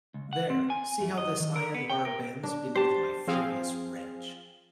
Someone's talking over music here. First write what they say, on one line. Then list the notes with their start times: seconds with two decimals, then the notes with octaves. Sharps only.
There — see how this iron bar bends beneath my furious wrench.
0.14 C#2
0.33 F#5
0.50 C4
0.70 G#5
1.00 F#2
1.18 D#5
1.40 D#3
1.56 A#4
1.74 B3
1.90 G5
2.05 A#4
2.43 D4
2.76 G4 C5 A5
3.27 F3 C4 G#4 F5